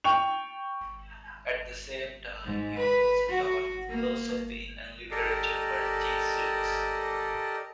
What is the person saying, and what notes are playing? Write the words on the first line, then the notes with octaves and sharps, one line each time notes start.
At the same time he was also taught philosophy and literature by Jesuits.
G5 C#6 F7
G#2
B4
F#4
A#3
G4 A4 A#4 D5 D#5